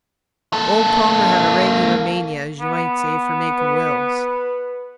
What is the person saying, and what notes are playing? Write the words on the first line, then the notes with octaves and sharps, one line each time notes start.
Old Palmer had a regular mania, as ye might say, for makin' wills.
A#3 A4
B3
B4